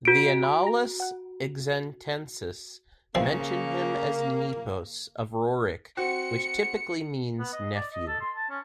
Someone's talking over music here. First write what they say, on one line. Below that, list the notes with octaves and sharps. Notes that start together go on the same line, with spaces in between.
The Annales Xantenses mention him as "nepos" of Rorik which typically means "nephew".
F#4 D7
C#3 E3 F3 A#3 C4
C4 F#4 C#7
B3
D#5
D5
D#5
A4
C6
A5
C#4